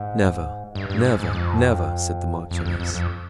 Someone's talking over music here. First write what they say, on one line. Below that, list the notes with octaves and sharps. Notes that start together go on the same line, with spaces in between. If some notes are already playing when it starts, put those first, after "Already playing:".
"Never, never, never," said the marchioness.
Already playing: G#2
G2
G2
G#2
G#2
F2
F2
F2
F2
F2